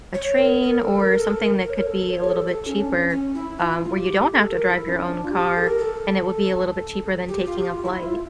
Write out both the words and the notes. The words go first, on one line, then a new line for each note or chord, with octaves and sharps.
a train or something that could be a little bit cheaper, um, where you don't have to drive your own car, and it would be a little bit cheaper than taking a flight.
C#5
A#4
A#4
A4
A#4
A4
A#4
A#4
C#5
A#4
A4
C#5
G4
A4
A4
C#4
D4
C#4
C#4
E4
F4
E4
F4
G4
A4
A#4
E4
C#4
D4
F4
G4
A4
A#4
A4
G4
F4
G4
F4
E4
F4